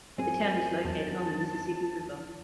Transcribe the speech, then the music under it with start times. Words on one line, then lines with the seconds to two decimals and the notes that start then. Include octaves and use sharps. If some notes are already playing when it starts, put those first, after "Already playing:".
The town is located on the Mississippi River.
0.18 F#2 C4 G#4 G#5
0.84 E2 A5